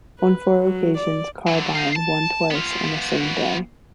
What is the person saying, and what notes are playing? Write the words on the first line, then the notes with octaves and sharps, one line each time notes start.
On four occasions Carbine won twice on the same day.
B4
F#3
D5
D3 F#3
D#4 F4
A5
B3 F4